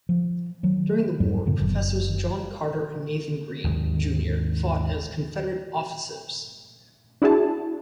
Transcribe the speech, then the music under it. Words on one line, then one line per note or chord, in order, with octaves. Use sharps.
During the war, professors John Carter and Nathan Green, Junior fought as Confederate officers.
F3
D#3 F#3
F2 G#2 F#3 G3
F#2 A2 D3 B3
F#1 F#2
G#1 D#2 G#3
D4 E4 F#4 G#4 A5